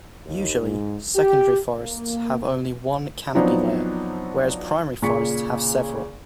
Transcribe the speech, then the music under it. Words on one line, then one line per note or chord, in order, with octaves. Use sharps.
Usually, secondary forests have only one canopy layer, whereas primary forests have several.
D#2
G#2
G4
A#3
F3 F#3 B3 C4 D4 D#4
A#2 C#3 C#6 B6 C#7